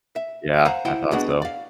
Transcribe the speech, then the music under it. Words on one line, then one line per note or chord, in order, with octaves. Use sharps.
Yeah. I thought so.
E5
C5 F5 F#5 G#5 A#5
E4 C5 F#5 G5
B3 D4 F#4 G#4 B4 D#5
D5 F5